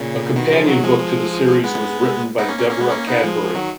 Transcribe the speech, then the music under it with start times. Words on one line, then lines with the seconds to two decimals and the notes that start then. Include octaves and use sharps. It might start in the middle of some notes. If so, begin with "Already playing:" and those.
A companion book to the series was written by Deborah Cadbury.
Already playing: A#2 C#3
0.36 B2 D#3
0.51 C#3 F3
0.68 D#3 F#3
0.83 F3 G#3
0.99 F3 G#3
1.64 G#3 B3
2.38 B3 D#4
2.49 A#3 C#4
2.59 A#3 C#4
2.69 A#3 C#4
2.80 G#3 B3
2.90 A#3 C#4
3.07 B3 D#4
3.23 F3 G#3
3.55 D#3 F#3